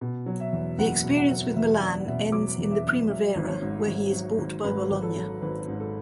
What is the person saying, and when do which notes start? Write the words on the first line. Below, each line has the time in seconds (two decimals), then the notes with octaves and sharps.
The experience with Milan ends in the Primavera where he is bought by Bologna.
0.01 B2
0.26 F#3
0.40 E5
0.53 E2
0.78 F#1 F#5
1.04 B2
1.17 F#5
1.30 F#3
1.55 E2 E5
1.81 F#1 D5
2.07 B2 E5
2.32 F#3 D6
2.58 E2
2.71 E5
2.84 F#1
3.09 F#3 E5
3.36 G#1
3.48 C#5
3.62 G#2
3.87 G#1
4.13 F#3
4.38 G#1
4.64 G#2 B4
4.90 G#1
5.02 A4
5.15 F#3
5.42 G#1 B4
5.68 G#2
5.80 A4